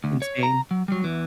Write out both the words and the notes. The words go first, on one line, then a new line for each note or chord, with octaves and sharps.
in Spain?
D2
C#5
A#5
F#3
F#3 G3
E2 E3